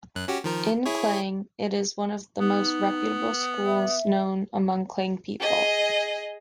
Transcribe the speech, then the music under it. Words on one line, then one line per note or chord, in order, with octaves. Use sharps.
In Klang, it is one of the most reputable schools known among Klang people.
F#2 F#6
C#4 F#4 G4
D#3 F3 A#4
E4 G#4 C#5
B3 D#4
E5
G#4 D#5